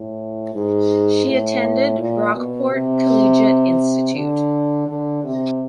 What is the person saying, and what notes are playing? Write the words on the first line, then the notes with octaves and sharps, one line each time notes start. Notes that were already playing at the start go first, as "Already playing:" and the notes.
She attended Brockport Collegiate Institute.
Already playing: A2
G#2
A2
A#2
B2
C3
D3
D3
C3